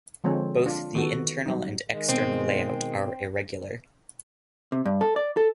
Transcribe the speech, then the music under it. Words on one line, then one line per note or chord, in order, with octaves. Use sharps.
Both the internal and external layout are irregular.
D3 F3 G#3 C4 C#5
D4 F4
D#3 B3 F#4 A4
F#3 G3 D#4
D#3 G#3
B2 C4
C3
G2
A4
D5
A4